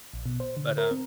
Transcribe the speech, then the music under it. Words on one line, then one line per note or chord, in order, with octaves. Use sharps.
But, um,
A#1
B2
C5
D3
A#4
C4